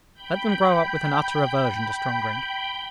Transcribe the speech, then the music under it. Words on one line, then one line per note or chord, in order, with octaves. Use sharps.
Let them grow up with an utter aversion to strong drink.
G5 B5 G6